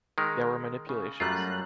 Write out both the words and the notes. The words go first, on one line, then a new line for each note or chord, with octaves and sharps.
There were manipulations.
D#3 G#3 A#4
C#3
F#2 G3 A3 F4 A#5 F#6